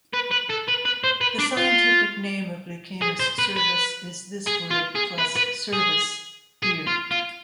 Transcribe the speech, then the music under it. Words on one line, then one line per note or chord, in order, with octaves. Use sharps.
The scientific name of "Lucanus cervus" is this word, plus "cervus", deer.
B4
B4
A4
B4
B4
C5
B4
D4
F4
G#4
C5
B4
B4
G#4
F4
G#4
B4
B4
G#4
G#4
F4
F4